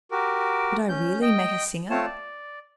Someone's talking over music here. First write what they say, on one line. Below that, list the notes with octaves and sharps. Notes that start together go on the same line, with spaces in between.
Would I really make a singer?
F#4 G4 A#4
C#4 G6
D#5 G5
A3 C4 F4 C#5 A5
D5